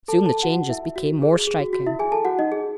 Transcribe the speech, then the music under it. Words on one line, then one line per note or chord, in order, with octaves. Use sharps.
Soon the changes became more striking.
A4 A5
A4 A5
F#4 F#5
E4 E5
F#4
G#4
G#4
F#4
F#4
E4 E5
G#4 G#5
A4 A5
F#4 F#5
D#4 D#5
G#4